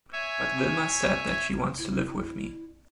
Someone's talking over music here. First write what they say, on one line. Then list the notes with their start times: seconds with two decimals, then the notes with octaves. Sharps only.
But Vilma said that she wants to live with me.
0.13 C#5 E5 G#5
1.78 E4